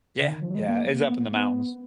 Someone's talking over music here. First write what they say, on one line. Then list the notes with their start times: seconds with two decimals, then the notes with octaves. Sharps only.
Yeah, yeah, it's up in the mountains
0.21 C#3
0.28 D#3
0.42 F3
0.50 F#3
0.55 G#3
0.68 A#3
1.09 B3
1.35 B3